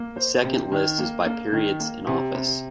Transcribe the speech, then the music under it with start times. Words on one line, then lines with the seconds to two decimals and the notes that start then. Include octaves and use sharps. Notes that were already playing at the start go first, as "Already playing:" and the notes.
The second list is by periods in office.
Already playing: A#3
0.16 C5
0.44 C3
0.72 D#3
0.98 A#3
1.26 A#3
1.52 D#3
1.80 A#3
2.07 C3
2.35 C3